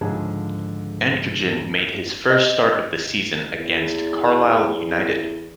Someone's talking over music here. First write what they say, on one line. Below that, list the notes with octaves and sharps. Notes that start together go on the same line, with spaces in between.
Ankergen made his first start of the season against Carlisle United.
C#2 G#2 D3 F3 G#4 A5
D#5
E2 E3